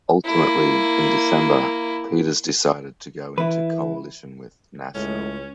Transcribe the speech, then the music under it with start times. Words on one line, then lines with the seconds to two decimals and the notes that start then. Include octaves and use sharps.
Ultimately, in December, Peters decided to go into coalition with National.
0.25 A#3 E4
3.38 E3 E4 B4
4.95 C#2 A2 G#3 C#4